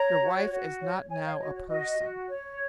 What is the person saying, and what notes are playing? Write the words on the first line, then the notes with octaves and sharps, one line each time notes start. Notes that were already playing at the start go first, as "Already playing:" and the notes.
Your wife is not now a person.
Already playing: C#5 A#5
F#4
F#4
C#5
C#5 G#5
F5
F#4 D#5
C#5
F#4 D#5
F#4
C#5